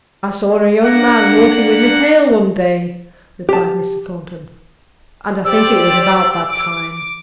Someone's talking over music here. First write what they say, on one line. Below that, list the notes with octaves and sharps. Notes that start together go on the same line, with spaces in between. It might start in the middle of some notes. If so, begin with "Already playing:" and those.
'I saw a young man walking with Miss Hale one day,' replied Mr. Thornton, 'and I think it was about that time.'
A#3 D4 F#5
G4 A5
G4 C5 D5 E6
D6